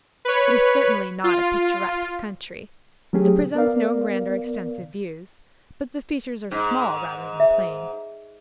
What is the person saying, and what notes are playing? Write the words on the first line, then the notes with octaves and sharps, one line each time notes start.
It is certainly not a picturesque country; it presents no grand or extensive views; but the features are small rather than plain.
B4 C#5
F4
F#3 A3 C#4 G4 G#4
B3 A#4 D5 F5
G#2
E5